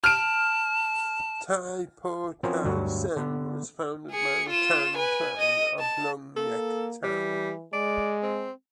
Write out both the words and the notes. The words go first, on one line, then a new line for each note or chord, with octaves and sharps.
Tai Po Tau Tsuen was founded by the Tang clan of Lung Yeuk Tau.
A5 F6 D7
F3 C4 C#4 F#4 A#4 C5
D2 G2 F#3 F#4
D3 B3
G#4 C#7
F4 E7
B4 G#5
D#5 D#7
A5
A#3 A4
E3 G3
G#3 D5
C4